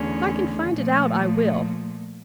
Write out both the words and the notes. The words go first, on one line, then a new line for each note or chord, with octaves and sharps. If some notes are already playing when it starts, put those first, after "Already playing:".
'If I can find it out, I will.
Already playing: E2 D3 A3 C#4
A#2 F3 A3